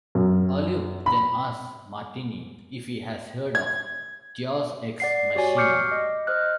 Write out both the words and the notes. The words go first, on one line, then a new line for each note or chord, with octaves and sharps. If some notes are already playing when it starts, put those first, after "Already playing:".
Olive then asks Martini if he has heard of Deus Ex Machina.
F#2
B5
G#6
D5 F#5 C7
F#4 G4 C#5 D5 G#5
C#6 D6 F6 G6 C7 C#7
D#5
C5 D#5 F6 F#6